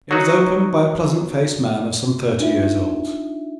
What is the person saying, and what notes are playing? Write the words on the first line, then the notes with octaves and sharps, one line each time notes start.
It was opened by a pleasant-faced man of some thirty years old.
F#3 D#4 F#4
D4 D#4 F4 E5